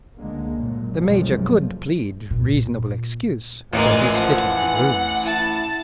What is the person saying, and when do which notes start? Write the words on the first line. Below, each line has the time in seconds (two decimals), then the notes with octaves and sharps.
The Major could plead reasonable excuse for his fit of the glooms.
0.18 C#2 D3 G#3 A#3
0.58 F#2 A#2
0.97 F#1 B1 F#2 F3 G3 G#3
2.31 A#2
3.73 A1 A#2 G#3 A#3
4.12 F3 F#5
4.49 E3
5.25 E4 A5